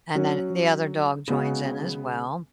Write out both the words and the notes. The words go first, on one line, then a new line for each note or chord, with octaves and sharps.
and then the other dog joins in as well.
F#3 C#4 F#4
C#3 G#3 B3 F#4